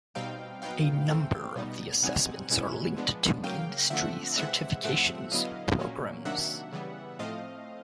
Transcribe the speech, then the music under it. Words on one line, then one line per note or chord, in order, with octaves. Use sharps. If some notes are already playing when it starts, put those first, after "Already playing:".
A number of the assessments are linked to industry certifications programs.
B2 G3 C4 D#4 F5 G5
F#3 B3 D#4 F5 G5
E3 A3 C4
B2 G3 B3 D#4
B2 G3 C4 D#4 F#5 G#5
B2 G#3 C#4 E4
F3 G#3 B3 D4
C#3 F#3 A#3 F5 G5
D3 F3 A3 C4 E5 F#5
C3 E3 G#3 C4 E5 F#5
A2 F3 A3 C4 E5 F#5
D3 F#3 B3 E4 D#5 F5
A#2 F#3 A#3 C#4
C3 D#3 F#3 A#3 D4 E5 F#5
C#3 E3 G3 B3
A2 F3 A3 C4 D#5 F5